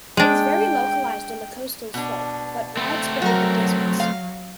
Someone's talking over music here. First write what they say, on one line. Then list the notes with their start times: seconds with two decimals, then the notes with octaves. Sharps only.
It is very localized on the coastal slope, but widespread in the deserts.
0.17 G#3 D4 G5
1.94 B2 D4
2.77 A3 C4
3.22 F#3 F#4 A#4
4.00 F5